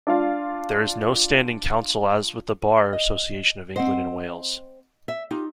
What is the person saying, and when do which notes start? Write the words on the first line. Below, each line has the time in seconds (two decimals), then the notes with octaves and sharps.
There is no standing council as with the Bar association of England and Wales.
0.07 D4 F4 F5
2.93 D#5
3.76 C4 C5 D#5 F#5
5.08 E5
5.31 D#4 F4 G4